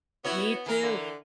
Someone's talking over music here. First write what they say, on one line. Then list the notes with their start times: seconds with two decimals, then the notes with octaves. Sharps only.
Me too,
0.24 B3 E4 F#4 C#5
0.66 E3 A#4
0.83 D3